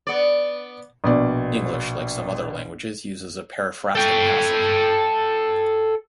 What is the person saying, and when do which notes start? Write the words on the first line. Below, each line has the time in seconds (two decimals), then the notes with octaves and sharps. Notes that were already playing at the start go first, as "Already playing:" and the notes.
English, like some other languages, uses a periphrastic passive.
0.07 B3 D5
1.04 A#1 B2 D5
3.95 A4 G5